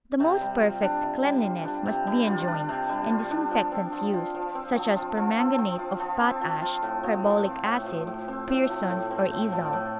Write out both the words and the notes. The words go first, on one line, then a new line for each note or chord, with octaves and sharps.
The most perfect cleanliness must be enjoined, and disinfectants used, such as permanganate of potash, carbolic acid, Pearson's, or Izal.
C3
G3
F4
D4
C3
G3
F4
D4
C3
G3
F4
D4
C3
G3
F4
D4
F3
C4
F3
F4
F3
C4
F3
F4
F3
C4
F3
F4
F3
C4
F3
F4
A2
F3
A2
C4
A2
F3
A2
C4
A2
F3
A2
C4
A2
F3
A2